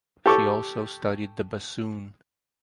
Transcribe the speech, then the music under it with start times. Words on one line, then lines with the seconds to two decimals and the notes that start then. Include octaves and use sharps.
She also studied the bassoon.
0.26 G4 A4 C#6 D6